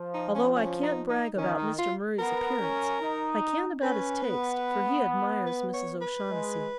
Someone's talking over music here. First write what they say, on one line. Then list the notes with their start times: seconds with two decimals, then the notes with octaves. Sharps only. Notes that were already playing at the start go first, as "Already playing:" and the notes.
Although I can't brag about Mr. Murry's appearance, I can about his taste, for he admires Mrs. O'Shaughnessy.
Already playing: F3
0.14 D#4
0.35 C#4
0.56 C#4
0.83 D#4
1.09 D#4
1.37 D#3 C#4
1.58 D#4
1.79 F4
2.19 B3 A#4
2.60 C#4
3.01 D#4
3.83 C#4 B4
4.24 B3
5.47 B4
5.74 C#5
6.01 B4
6.29 G#3